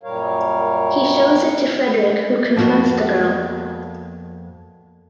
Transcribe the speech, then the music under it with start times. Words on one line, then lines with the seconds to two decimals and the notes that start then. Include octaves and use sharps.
He shows it to Frederic who confronts the girl.
0.03 F#2 A#2 G3 A#4 C#5 F5
2.56 F2 A#3 B3 F4 F#4